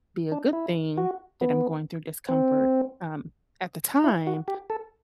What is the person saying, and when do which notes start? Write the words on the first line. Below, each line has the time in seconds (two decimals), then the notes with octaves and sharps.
be a good thing that I'm going through discomfort, um, at the time
0.32 D4
0.53 E4
0.97 F#4
1.41 B3
2.29 C4
4.04 E4
4.27 F#4
4.48 G4
4.70 A4